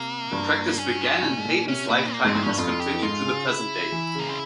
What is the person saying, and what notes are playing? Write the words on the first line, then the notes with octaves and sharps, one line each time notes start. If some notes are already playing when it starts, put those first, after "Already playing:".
The practice began in Haydn's lifetime and has continued to the present day.
Already playing: C3 A#3
G2
C#4
C3
A#2
G#2
A#2
C3 C#4
A#2 E4
A#3
G#2
C4
G#2
G2 C#4
F2 F4
G4
G#2 F4
C#3
C#3 E4
E3
C#3 A#3
C4